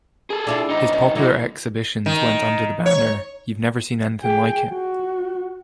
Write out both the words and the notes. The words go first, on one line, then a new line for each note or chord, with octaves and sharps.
His popular exhibitions went under the banner You've never seen anything like it!
G#4 A4
D4 E4 F4
F3 D#4
C#4
D3 F#3 D#4 E4 F#4
D#3
C#5
G#4 G5
F#4